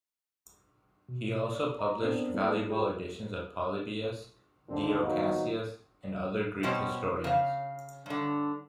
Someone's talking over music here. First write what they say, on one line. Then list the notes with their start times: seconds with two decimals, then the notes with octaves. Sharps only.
He also published valuable editions of Polybius, Dio Cassius and other Greek historians.
1.09 B2
1.41 D5
1.79 D#5 A#5
2.00 B3 C4 D4 A#4 C5 D5
2.34 G3 A#3 E4 A4
2.69 F4 G#4 C#5 E5 G5 C#6
4.69 D#2 A#2 D3 D#3 C4 D4
5.02 D#3 F3 F#3 A#3 B3 D#4
6.63 B2 C4 C#4
7.24 C#3 F5
8.06 G2 D3